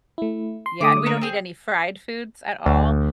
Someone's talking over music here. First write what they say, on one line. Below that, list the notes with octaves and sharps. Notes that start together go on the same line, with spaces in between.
Yeah, and we don't eat any fried foods at all,
A3 E4
C6
D3 A3 D6 D#6
D4 A#4 C#5
C4 G#4
D2